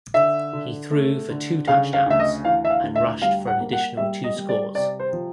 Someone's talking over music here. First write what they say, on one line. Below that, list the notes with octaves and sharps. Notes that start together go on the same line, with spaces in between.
He threw for two touchdowns and rushed for an additional two scores.
D3 E5
D3
A3
D3
C#3 F5
F5
D2 E5
D#5
E3 F5
E5
F5
D2
E5
G3 F5
F#5
A#3
F#5
G3 E5
D#5
G3
D5
C3 D5
C5
F3